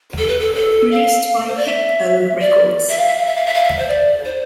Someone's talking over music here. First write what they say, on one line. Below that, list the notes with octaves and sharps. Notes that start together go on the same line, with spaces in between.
Released by Hip-O Records.
A4
B4
A4
A4
F5
C5
D5
E5
D5
E5
F5
E5
F5
E5
F5
E5
F5
E5
C5
D5
C5